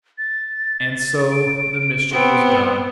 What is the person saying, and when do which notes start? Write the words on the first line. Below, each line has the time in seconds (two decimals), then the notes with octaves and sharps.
And so the mischief was done.
0.18 A6
1.31 D7
2.12 B3 C4